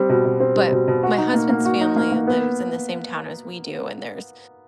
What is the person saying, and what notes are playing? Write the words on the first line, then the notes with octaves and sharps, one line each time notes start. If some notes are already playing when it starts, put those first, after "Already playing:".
but my husband's family lives in the same town as we do, and there's
Already playing: G3 C4
B2
B2
C4
G3
B2
B2
F#4
D#4
A#3
A#3
F#4
D#4
A#3
A#3
B3